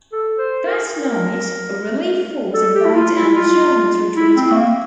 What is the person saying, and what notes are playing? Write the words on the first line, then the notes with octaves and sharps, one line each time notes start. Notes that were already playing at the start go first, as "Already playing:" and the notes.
That night, a relief force arrived and the Germans retreated.
A4
C5
A#4
A#4
A4
G4
E4
F4
E4
F4
E4
C4
A3
A#3